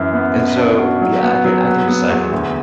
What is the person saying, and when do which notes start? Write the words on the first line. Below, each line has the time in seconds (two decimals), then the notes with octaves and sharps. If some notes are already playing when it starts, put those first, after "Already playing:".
and so, yeah, I can I can decipher
Already playing: F#2 E3
0.13 B3
0.35 B2
0.57 D4
0.79 F#4
1.01 F#3
1.23 B3
1.45 F#3
1.66 B3
1.88 B3
2.10 E2
2.32 D2